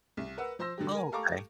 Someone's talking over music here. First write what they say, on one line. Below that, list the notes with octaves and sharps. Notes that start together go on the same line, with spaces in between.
Oh, okay.
C2
A#4 B4 F#5 E6
F3 C5 C6 E6 A#6
D3 F#3 G4
A#4 G#5
G4 A4 F5 A#5 C#6 D6